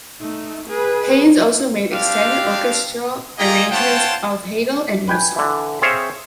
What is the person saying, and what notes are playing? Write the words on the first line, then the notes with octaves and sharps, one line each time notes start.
Haynes also made extended orchestral arrangements of Handel and Mozart.
A3 D#4
G#4 B4
C4 D4 G4 F5
A#3 F4 G#4 D#5 G5 A#5
C#4 F4 C5 F#5 G5 A5
B4 G5 G#5
D3 E3
C4 G#4 C5 C#5 E5 F5